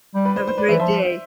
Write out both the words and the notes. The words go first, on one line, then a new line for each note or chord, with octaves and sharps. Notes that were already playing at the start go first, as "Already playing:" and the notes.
Have a great day.
G3
B4 D5
C5
C5
B4 D5
E3 C5 E5
F3 C5 E5